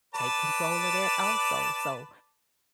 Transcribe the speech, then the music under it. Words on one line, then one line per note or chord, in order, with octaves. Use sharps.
take control of that also, so
B4 D5 A5